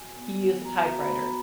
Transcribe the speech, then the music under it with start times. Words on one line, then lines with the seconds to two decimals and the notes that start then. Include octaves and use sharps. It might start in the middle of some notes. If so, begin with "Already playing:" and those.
he used a typewriter.
Already playing: F#4 G#5
0.16 B3
0.41 B3
0.65 F#4 A#5
0.82 A#5
0.88 F#4
1.00 B5
1.12 B3